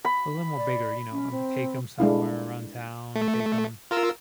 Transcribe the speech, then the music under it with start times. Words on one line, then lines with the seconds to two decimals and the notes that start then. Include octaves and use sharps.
a little more bigger. You know, I would take 'em somewhere around town, take 'em
0.05 B5
0.57 D5
1.12 C#4
1.32 C4
1.98 G#3 D4 E4 F5
3.15 A3
3.91 F4 A#4 E6